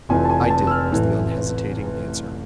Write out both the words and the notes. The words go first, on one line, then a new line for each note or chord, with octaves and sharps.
"I did," was the unhesitating answer.
F1 F2 E3 G#5
A5
G#5
A5
E6
F6
A1 A2 E3